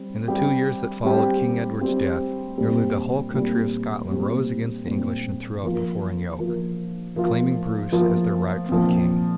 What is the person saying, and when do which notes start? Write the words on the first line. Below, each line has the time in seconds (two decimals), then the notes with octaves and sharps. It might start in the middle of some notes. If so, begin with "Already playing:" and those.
In the two years that followed King Edward's death nearly the whole country of Scotland rose against the English and threw off the foreign yoke, acclaiming Bruce as their rightful king.
Already playing: G3 C4
0.28 G3 C4 G4
1.04 G3 C4 G4
1.81 G3 C4 G4
2.58 A#2 G3 C4 G4
3.33 A#2 G3 C4 G4
4.10 A#2 G3 C4 G4
4.87 A#2 G3 C4 G4
5.63 F3 A#3 F4
6.40 F3 A#3 F4
7.16 F3 A#3 F4
7.92 F3 A#3 F4
8.69 A#2 F3 C4